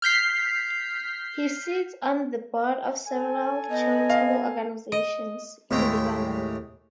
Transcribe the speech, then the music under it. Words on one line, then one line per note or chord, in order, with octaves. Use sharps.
He sits on the board of several charitable organizations in Lebanon.
F6 G6 B6 C7
A4 G#5
B3 D#5
F5
D#5
D#2 A2 G#3 A3 G5